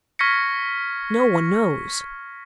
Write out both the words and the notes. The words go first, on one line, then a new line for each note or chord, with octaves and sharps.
No one knows.
C#6 F6 G#6 A#6 B6 C#7